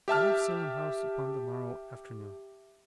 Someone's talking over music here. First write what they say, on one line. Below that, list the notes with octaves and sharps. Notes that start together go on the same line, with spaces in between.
I left Salem House upon the morrow afternoon.
G4 E5 A5 F6